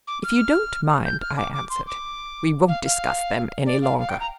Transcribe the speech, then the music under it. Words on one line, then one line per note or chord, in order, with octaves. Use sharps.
"If you don't mind," I answered, "we won't discuss them any longer."
D6
F6
G6
F6
D6
D6
C6
D6
F5
F5
D5
F5
F5
G5
A#5